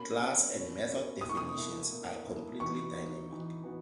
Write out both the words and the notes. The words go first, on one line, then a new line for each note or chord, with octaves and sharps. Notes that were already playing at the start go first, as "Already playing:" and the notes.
Class and method definitions are completely dynamic.
Already playing: B2 A#3 C#4 F#4 B5
B2 A#3 C#4 F#4
B2 A#3 C#4 F#4
B2 A#3 C#4 F#4
B2 A#3 E4 D#6
C#6
D#6
B2 A#3 E4
B2 A#3 E4
B2 A#3 E4
E3 B3 D#4 F#4 C#6
E3 B3 D#4 F#4
E3 B3 D#4 F#4
E3 B3 D#4 F#4